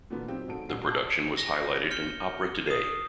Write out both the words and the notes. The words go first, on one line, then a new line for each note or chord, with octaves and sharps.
The production was highlighted in "Opera Today".
A#2 D3 E3 A#3 B3
F#3 C4 D#4 F4 G4
G#2 C#4 D#4 A4 D7
D#1 A1 G3 C7
G#5 A5
A#6
F6 G6 C#7 G7
D#6 C7